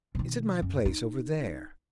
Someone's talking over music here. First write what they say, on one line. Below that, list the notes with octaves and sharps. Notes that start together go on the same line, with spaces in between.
It's at my place over there.'
B2 D#3
F#2
D#4